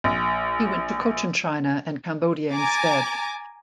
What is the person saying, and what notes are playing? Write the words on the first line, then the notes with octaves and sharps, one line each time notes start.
He went to Cochinchina and Cambodia instead.
A#1
G#5 A#5 D6 A6